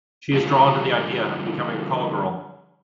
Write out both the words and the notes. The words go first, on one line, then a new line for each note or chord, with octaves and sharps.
She is drawn to the idea of becoming a call girl.
D3 F3 G3 F4